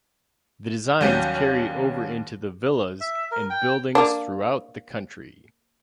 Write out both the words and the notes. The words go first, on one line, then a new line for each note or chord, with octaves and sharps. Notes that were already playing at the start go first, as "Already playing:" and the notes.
The designs carry over into the villas and buildings throughout the country.
D#2 F#3 G3 C#4 G6 D#7
E5
A#4
G5
A#3 D4